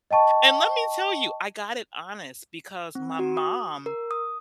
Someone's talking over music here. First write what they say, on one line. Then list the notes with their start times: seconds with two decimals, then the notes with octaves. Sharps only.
And let me tell you, I got it honest because my mom,
0.11 D#5 G5 A5 C#6
2.95 C4
3.19 F#4
3.37 D#6
3.86 A#4
4.11 D#6